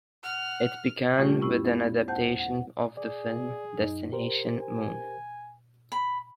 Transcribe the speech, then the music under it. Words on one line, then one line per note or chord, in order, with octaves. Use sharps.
It began with an adaptation of the film "Destination Moon".
F#5 F6
G3 A3 C#4 F4 G4
F2 A2 B3 E4 F4 C#6
B3
D#2 C5 F#5 A5 G6
F#5
G#4 D5
F#2 D#4
G4 A#4 C5
G#5
B5